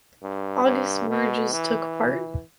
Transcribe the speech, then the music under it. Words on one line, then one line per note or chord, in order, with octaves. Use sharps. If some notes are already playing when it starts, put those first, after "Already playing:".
August Merges took part.
G2
G2
B2
E3